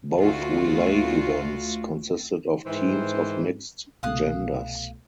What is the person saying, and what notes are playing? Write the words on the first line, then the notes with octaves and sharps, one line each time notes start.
Both relay events consisted of teams of mixed genders.
D2 A3 F4 F#4
G#2 D#3 E3 C5
C2 B2 A3 F5 D#6 F#6